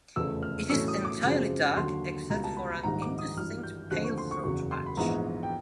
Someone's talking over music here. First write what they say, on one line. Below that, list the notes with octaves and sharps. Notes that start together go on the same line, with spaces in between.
It is entirely dark except for an indistinct pale throat patch.
F1 E2 C#3 F3 A3 E6
F6
B1 A2 E3 A3 C#4 E6
D#6
D6
F#2 C#3 F3 G#3 C4
D#2 D3 F#3 C6
C#2 B2 G3 A#5
A5
B5
B5
A#1 G#2 D#3 G3 A#5
D6
D#6
G#1 G2 E3 F6
G6
D#2 D3 F3 A3 C4 F#6
C#6
C6
C#6
F#1 E2 C#3 F#3 C#6
C6
B5
A#1 G#2 E3 G#3 B3 A#5
G5